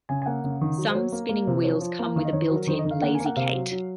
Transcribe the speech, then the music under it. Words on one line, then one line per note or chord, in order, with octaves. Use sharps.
Some spinning wheels come with a built-in lazy kate.
C#3 G#5
G#5
A#3 F#5
C#3
D#3
F#3
C5
F#3 C#5
A#3
A#3
C3
F3 C#5
F3
A#3
D#3 F5
D#5
D#3 C#5
C5
F#3 A#4
D#3 C5
D#5
D#3
F5
A#3 F#5
G#5
A#3
F#5
C3 F5
F#3
F#3